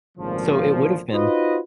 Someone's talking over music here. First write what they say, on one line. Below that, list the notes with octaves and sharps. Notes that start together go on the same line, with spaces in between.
so, it would've been
G#1 D2 A#2 C#3 F3
D#4 F4 F#4 B4 C5 D#5